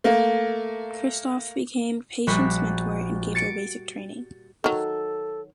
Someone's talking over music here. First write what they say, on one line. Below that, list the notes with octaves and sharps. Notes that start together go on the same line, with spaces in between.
Kristof became Patience's mentor and gave her basic training.
A3 A#3
A#1 G3 F#4 B5
A6 C#7 D7
D#3 F#3 A4